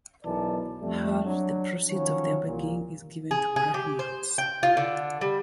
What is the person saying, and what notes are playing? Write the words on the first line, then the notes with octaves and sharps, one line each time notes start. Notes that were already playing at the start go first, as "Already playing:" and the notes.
Half the proceeds of their begging is given to Brahmans.
B1 E3 A#4 D5 A5
F2 G3 A3
F#3 D4
D#3 F3 F#3 C#4 C#5
C2 A#2
G#4
G#4
G4
C5
G5
F4
D3
G3